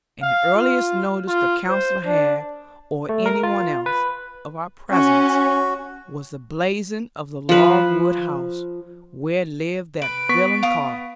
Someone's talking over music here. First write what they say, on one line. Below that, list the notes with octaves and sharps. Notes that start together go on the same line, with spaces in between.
And the earliest notice the Counsellor had, or any one else, of our presence, was the blazing of the log-wood house, where lived that villain Carver.
F5
F4
F4
C5
D4
A3
A#4
F4
B4
C#4 F#4
F3 B4
B4 D7
B3 C#6 B6
F5 D#6